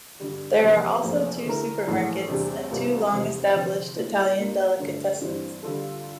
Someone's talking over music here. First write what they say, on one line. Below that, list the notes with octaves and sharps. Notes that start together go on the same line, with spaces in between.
There are also two supermarkets and two long-established Italian delicatessens.
G2 D3 G3
E2 C3 F3 A#3 D4
A#1 A#2 F3 A3 C4
D3 A3 E4 A#4
A#1 A2 E3 A3 D4
E2 C3 G3 D4 G4
C2 C3 G3 A#3 F4
F1 E2 C3 G3 C4
D3 F3 C4
A#2 A3 E4
A#2 G3 A#3 D4 F4
G2 D3 A3 D4
G2 E3 G3 C4
D3 G3 D4 F4 A4